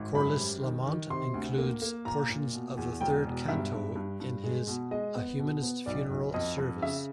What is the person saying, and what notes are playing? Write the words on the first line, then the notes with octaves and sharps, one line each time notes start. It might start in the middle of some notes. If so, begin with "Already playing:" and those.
Corliss Lamont includes portions of the third canto in his "A Humanist Funeral Service".
Already playing: G#1
F#2 B5
G3
D#3
D#3
C3 C6
D2
A#3
A#3
A#2 A#5
A#2
B2
E2
E1 G5
B2
G2 E5
G2
G2
G2
G#3
B2
G#3 D#5
B3
B2
B3
B1 D5
B1
F2 D#5
F2
C#3 E5